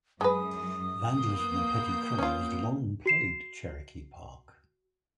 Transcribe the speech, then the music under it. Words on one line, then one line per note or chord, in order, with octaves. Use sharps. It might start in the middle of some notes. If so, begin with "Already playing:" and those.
Vandalism and petty crime has long plagued Cherokee Park.
F#2 G#3 B4 D#6
A#3 B3 G6
C#4 F4
F#4 C7 E7